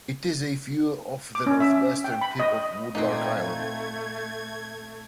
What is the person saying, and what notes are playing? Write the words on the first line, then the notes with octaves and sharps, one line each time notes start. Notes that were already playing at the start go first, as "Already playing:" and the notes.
It is a few off the northwestern tip of Woodlark Island.
D6
C#4
E5
G5
B5
D#5
A#2 A3 C4 D#4 B4 G#6